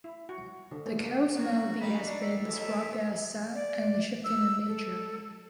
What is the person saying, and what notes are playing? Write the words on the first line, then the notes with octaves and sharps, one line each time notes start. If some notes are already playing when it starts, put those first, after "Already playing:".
The carol's melody has been described as "sad" and "shifting" in nature.
E4
F#4
D3
A3
A#3
F#3 F#4
F#3 G3 D#4 B5
D4 D5
E5
D#2 A#2 D#3 A4
D5
E6
A4